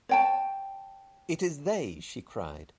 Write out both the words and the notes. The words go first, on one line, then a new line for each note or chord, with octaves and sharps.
"It is they," she cried.
C#5 G5 A5